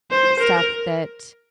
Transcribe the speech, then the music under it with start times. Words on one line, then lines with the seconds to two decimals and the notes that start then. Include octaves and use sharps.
stuff that
0.11 C5
0.40 A#4